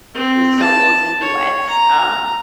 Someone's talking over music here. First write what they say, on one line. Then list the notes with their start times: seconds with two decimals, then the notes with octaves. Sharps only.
the solos and duets. Um,
0.14 C4
0.59 A5
1.21 C#5
1.70 A#5